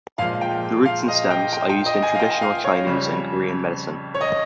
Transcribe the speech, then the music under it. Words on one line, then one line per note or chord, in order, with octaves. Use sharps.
The roots and stems are used in traditional Chinese and Korean medicine.
A#2 F3 G#3 F5
G5
F5
D#5
G5
G5
G5
D#5
G#5
F5
G5
G5
F5
C#5
F2 C#3 G3
C#5
D#5